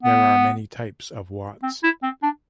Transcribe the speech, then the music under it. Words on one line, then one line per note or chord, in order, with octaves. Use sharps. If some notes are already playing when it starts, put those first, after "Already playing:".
There are many types of wats.
B3
C4
E4
C4
D4